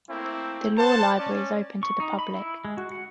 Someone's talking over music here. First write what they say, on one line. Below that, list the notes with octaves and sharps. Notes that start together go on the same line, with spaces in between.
The Law Library is open to the public.
A3 A#3 C4 E4
C5 F#5 A5
C#4 D5
C#6
D#4
B5
E4
G#3
F#4
F#5